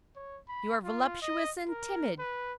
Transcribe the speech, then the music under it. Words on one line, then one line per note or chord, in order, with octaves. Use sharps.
You are voluptuous and timid!
C#5
B5
F4
D#5
A#4
B4